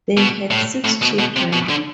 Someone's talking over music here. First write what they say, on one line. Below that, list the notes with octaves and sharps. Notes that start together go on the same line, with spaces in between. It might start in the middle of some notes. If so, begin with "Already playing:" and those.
They had six children.
B2
A2
A2
B2
B2
C3
B2
D3